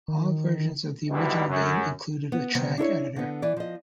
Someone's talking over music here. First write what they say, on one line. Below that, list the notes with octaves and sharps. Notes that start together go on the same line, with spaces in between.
All versions of the original game included a track editor.
D#3
D2 G#2 B2 D#3 E3 G3
F#2
B3
C3 D#3 G3 B3 C4
D4 E4 A#4 C#5
D3 B3
E3 D5
F3 D#5